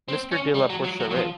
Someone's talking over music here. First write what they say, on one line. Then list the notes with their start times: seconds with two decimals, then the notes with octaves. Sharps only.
Mister de la Porcheraie.
0.08 C4
0.31 C#4
0.54 G3
0.70 F#3
0.84 F#3
1.00 F#3
1.11 F#3
1.15 F3